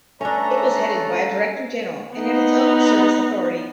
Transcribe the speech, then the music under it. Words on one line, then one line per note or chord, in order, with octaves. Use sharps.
It was headed by a Director-General and had its own service authority.
A3 C#4 D4 A4 B4 C#5 A#5
B3 D#4